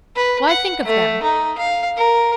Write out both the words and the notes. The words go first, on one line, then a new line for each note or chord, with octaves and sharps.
Why think of them?
B4
F#5
A3
D#4
F5
A#4